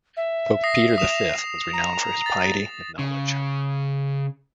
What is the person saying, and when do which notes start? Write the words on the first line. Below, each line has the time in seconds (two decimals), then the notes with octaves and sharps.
Pope Peter the Fifth was renowned for his piety and knowledge.
0.17 E5
0.64 D#6 A#6 C7
0.98 D#6 E7 F7
1.73 A#5
2.26 A6
2.99 C#3